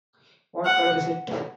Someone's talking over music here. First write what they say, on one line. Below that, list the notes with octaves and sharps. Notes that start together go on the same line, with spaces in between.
What color is it?
F#5